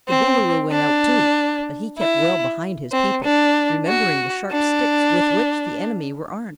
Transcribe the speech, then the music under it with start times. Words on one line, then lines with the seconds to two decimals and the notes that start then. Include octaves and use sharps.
The Boolooroo went out, too, but he kept well behind his people, remembering the sharp sticks with which the enemy were armed.
0.08 C4
0.71 D4
1.98 E4
2.92 C4
3.24 D4
3.87 F#4
4.51 D4